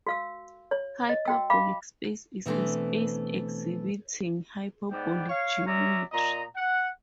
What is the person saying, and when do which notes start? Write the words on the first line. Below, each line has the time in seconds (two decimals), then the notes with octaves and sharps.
Hyperbolic space is a space exhibiting hyperbolic geometry.
0.07 F#4 F5 E6
0.71 C#5
1.09 D#5
1.25 F#4 G5 E6
1.50 F5 B5 D6
2.46 B2 E3 G3 A3 C4 D4
4.91 G#2 G3 B3 D5 G5
5.29 C#5 F5
5.66 F#3 C#4 D5 E5 A#5
6.13 A#2 D#5 A#5
6.56 F#5